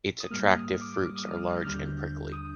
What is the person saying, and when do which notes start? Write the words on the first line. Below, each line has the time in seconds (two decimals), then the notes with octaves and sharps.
Its attractive fruits are large and prickly.
0.20 D#6
0.31 G#2 G3 A#3 F6
0.48 D#6
0.64 D#6
0.81 D6
1.15 D#6
1.31 F6
1.57 G6
1.64 D#2 D3 G3 D4 F6
1.73 G6
2.32 D#6